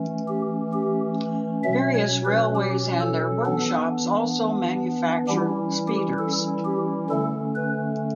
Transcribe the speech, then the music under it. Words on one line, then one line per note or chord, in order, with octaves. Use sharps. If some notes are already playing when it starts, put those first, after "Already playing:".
Various railways and their workshops also manufactured speeders.
Already playing: E3 A3 C#4
G4
G4
B2 F#3 C#4 E5
C#5
B4
G4
A4
E3 B3 D4
E3 G3 C#4 E4 G4
G4
A4
G4
D3 A3 C#4 A4
B4